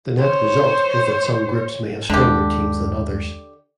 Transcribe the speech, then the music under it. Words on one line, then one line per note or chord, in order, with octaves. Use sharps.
The net result is that some groups may have stronger teams than others.
C5 C#5
D#2 D3 G#3 G4